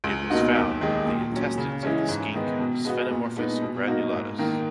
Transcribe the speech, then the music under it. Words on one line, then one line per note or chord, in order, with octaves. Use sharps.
It was found the intestines of the skink "Sphenomorphus granulatus".
C#2
B2 A#3 D#4 F#4
D#2
D#3 G#3
A#2
F#3 C#4
C#3
E3 G#3 C#4
G#2
D#3 G#3 B3
B2
G#3 B3 F#4
A#2
G#3 B3 D#4
B2
A#3 D#4 F#4
G#2
D#3 A#3